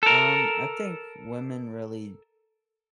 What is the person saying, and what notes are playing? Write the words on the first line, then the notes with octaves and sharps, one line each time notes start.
Um, I think women really
A4 A#4